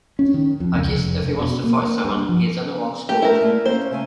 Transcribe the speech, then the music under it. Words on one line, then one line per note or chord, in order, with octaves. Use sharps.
I guess if he wants to fight someone, he is in the wrong sport.
C#4
D#3
F2
C#2
F1
F1
B2
A#3
A#3
G2
F3
A3 G4
A3 B3 E4 A#4
G3 A3 A#3
A#3 C#4 C5
C#3 A3 G#5